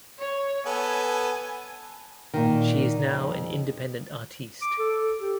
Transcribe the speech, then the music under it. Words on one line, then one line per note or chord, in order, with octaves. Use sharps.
She is now an independent artiste.
C#5
B3 A4 G#5
A#2 D#3
F2
D6
A4
G4